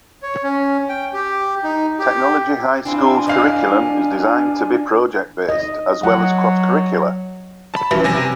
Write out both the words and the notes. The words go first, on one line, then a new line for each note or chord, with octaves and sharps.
Technology High School's curriculum is designed to be project-based as well as cross-curricular.
C#5
C#4
G5
G4
D#4
G4
C4 D4 E4 F4 G#5
E3 G3 C#5 D#5 F5
D#5
F#3 F#5
A5 B5
E3 G3 C#4
C3 G#5 A#6